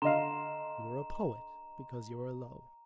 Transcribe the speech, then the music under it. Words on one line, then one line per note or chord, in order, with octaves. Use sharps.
You are a poet because you are low.
D3 D#5 F5 A#5 C6 E7